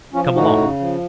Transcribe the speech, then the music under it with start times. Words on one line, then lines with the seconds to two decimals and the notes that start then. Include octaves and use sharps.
"Come along."
0.14 F3 C#4 F4
0.35 A2 D#4 F#4
0.57 C#3
0.80 F3